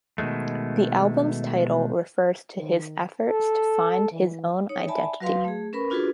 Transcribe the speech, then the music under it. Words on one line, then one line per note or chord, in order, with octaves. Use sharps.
The album's title refers to his efforts to find his own identity.
B2 D#3 F3 G#3 A3
D#3
A4
E3
D#4 C#5
D5 E5 G#5 A5 B5
F#3 F#4 B4 F5 C6
A3 G#4
C#4 A#4 B4 B5 C#6
D4 F4 F#4 G#4 A4 B4